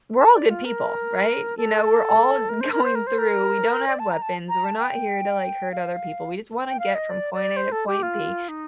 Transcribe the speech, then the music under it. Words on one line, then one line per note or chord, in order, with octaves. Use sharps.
we're all good people, right? You know, we're all going through we don't have weapons, we're not here to, like, hurt other people, we just wanna get from point A to point B,
A5
D5
F4
A#4
A4
A#4
C5
A#4
C5
A#4
C5
A#4
D5
A5
A#5
A5
A#5
A5
G5
F5
G5
F5
D#5
D5
D5
C5
A4
G4
F4
D#4